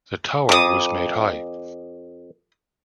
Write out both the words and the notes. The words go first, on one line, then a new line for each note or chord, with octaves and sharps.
The tower was made high.
F2 D6 D#6